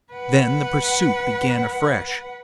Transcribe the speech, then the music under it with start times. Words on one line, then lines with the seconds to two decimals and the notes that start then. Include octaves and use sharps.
Then the pursuit began afresh.
0.13 B4 F#5